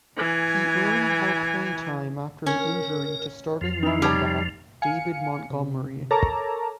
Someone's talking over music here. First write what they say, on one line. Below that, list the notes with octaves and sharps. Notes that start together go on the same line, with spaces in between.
He earned more playtime after an injury to starting running back David Montgomery.
E3 G#5
C#4 A#4
F2 F3
D#4 E4
G3 D#4 C#5 A5
F5 G#5 C#7
C3
A4 A#4 C#5 A5 A#5 D6